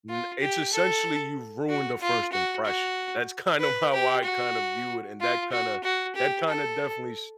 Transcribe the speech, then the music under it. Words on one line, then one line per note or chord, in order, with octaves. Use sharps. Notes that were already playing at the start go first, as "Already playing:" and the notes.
n it's essentially you've ruined a first impression. That's kind of how I kinda view it. And that kinda that kinda definitely s
F4
G4
A4
F#4
F4
F#4
F#4
B4
G4
F#4
F4
F#4
F#4
G4
A4